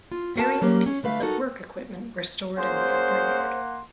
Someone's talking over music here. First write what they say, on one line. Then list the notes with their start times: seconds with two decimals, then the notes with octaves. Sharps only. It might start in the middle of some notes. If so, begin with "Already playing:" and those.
Various pieces of work equipment were stored in the upper yard.
0.12 F4
0.36 C4 F#4 A#4 G#5 A5
0.62 F#3 G3 A#3 C#4 G4
0.86 C#4
1.03 D3 A3 B4 F5
1.22 D#4 F#4 A4 A#4
2.58 A#3 C#4 G#4 C5 F#5 C6